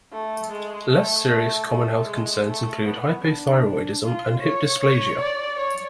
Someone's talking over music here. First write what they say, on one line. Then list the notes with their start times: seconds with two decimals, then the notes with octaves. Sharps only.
Less serious common health concerns include hypothyroidism and hip dysplasia.
0.12 A3
0.51 G#3
0.90 A3
1.29 A3
1.68 A3
2.07 G#3
2.46 A3
2.85 B3
3.24 D4
4.03 F4
4.41 C#5
4.80 C#5
5.19 D5
5.59 C#5